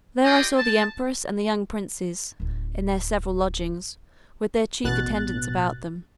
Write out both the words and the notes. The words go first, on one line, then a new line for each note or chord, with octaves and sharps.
There I saw the empress and the young princes, in their several lodgings, with their chief attendants about them.
F4 G#4 D5 D#5 G5
A5
D1 F4
A1 B2 F#6 A6